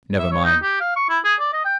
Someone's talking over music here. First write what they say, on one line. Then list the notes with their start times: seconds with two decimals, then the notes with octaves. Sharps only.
Never mind.
0.19 E5
0.31 C#5
0.44 D#4
0.62 G4
0.80 F5
0.96 C#6
1.09 E4
1.24 G#4
1.40 D5
1.53 D#5
1.65 G5